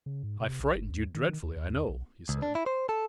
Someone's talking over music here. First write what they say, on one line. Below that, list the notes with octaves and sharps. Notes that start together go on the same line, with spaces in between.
"I frightened you dreadfully, I know," he said.
C#3
G#2
C3
B1
F#1
D#2
D#3
D#3
D#2
D#2
E2
B1
C#2
D4
E4
C5
A4